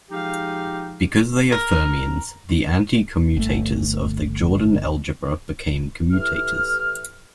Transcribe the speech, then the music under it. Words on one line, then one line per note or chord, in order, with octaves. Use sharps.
Because they are fermions the anti-commutators of the Jordan algebra become commutators.
F3 G#3 D#4 G4 F5
A#4
G1 A3
A2 E3 G4 F6